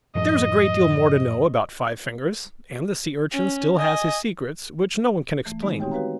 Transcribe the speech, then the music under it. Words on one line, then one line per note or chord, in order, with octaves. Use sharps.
There is a great deal more to know about Five-fingers; and the Sea-urchin still has his secrets which no one can explain.
F#2 A2 F3 D#5
C#4
D#5 G#5
E3 A3
D#3 G#3 B3 D#4
C4 D#4 F#4 G4 C#5 G5
F#4 G4 B4 C#5 F5 A#5